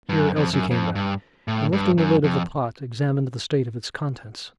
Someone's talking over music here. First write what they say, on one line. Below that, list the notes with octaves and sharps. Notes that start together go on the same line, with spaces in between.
Here Elsie came back, and lifting the lid of the pot, examined the state of its contents.
G2
F#2
F2
F#2
F2
G2
A2
G2
F#2
F2